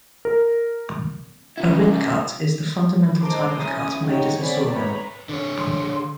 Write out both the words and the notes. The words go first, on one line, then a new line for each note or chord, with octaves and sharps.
A rip cut is the fundamental type of cut made at a sawmill.
A#4
C#3 E4
C5 D#5 A5 A#5 C6 D6
C#4 E4 G#5 D#6
D#4 F#4 G4 C#5 G5
C4 G#4 C#5 D5 F#5 B5
B4 C#5 A#5 B5
D3 C#5
C6